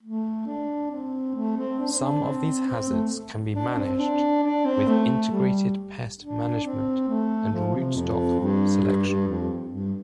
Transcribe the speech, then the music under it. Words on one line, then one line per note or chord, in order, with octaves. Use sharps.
Some of these hazards can be managed with integrated pest management and rootstock selection.
A3
D4
C4
A3
C4
D4
C4
D4
C4
C4
A3
D4
D4
C4
D4
D4
C4
A3
G3
D4
C4
A3
F3
C3
F2
G2
G2
G2
F2
G2